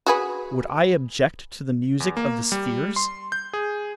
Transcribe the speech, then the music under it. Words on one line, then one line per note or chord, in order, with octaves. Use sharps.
Would I object to the music of the spheres?
F#4 G#4 B4
E2
A#3
G3
C6
G6
G#4